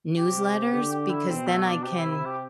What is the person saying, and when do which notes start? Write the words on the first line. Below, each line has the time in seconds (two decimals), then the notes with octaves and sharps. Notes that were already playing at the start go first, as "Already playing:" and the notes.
newsletters because then I can
0.17 C3 G4
0.73 D3 G4
0.92 G4
1.10 E4
1.29 B2 C4
1.47 A3
1.65 D4
1.84 C3 G4
1.98 E4
2.11 E4
2.26 G4